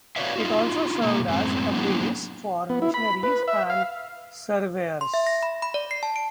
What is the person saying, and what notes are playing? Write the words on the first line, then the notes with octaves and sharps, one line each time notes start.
It also served as a base for missionaries and surveyors.
F#4 B4 C#5 D5 E5 F5
D#4 F4 F#4
B2 A3 A#3
F#2 A2 G#3 C4
F#3 A#3 B3 D4 E4 G#4
B3
E4
B5
B4
E5
F5
C6
E5
A#6
B5
B5
D5
C7
A5
D7